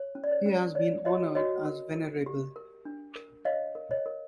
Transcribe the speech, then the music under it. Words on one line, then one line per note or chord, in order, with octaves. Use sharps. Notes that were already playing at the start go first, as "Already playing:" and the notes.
He has been honored as 'Venerable.
Already playing: C#5
C#4
D5
C#5
C#4
C#5 D5
F#4 C#5 D#5
F#4 C#5 D#5
A#4
A#4
G4
A#4
D4
A#4
C#5 D#5 F5
A#4
C#5 D#5
A#4